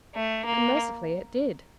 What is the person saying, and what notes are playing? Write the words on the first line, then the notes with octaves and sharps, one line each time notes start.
And mercifully it did.
A3
A#3